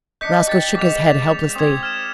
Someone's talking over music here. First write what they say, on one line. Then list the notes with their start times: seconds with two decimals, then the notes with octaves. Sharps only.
Roscoe shook his head helplessly.
0.21 D4 D#5 G6 B6 C#7
0.47 G4 G6 A6 B6
0.75 G#2 D6 F7
1.55 C4 D#6 G#6
1.83 F6 G#6 E7